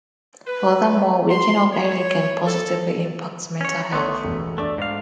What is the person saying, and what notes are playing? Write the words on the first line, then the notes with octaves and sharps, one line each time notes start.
Furthermore, waking up early can positively impact mental health.
B4
C6
C#5
A4
C#4 C#5
A3 B3 C#5 C6 C#6
E1
A3 D4 D5
G#2 F5